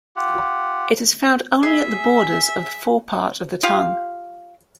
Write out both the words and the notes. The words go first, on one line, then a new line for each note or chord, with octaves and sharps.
It is found only at the borders of the forepart of the tongue.
F4 G4 F#5
G#4 E5
F4 G4 F5